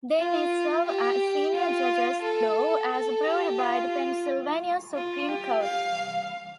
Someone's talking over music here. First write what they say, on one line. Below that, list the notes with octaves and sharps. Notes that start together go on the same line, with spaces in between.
They may serve as Senior Judges though, as approved by the Pennsylvania Supreme Court.
F4
G4
F4
A4
A4
G4
F4
F4
G4
F5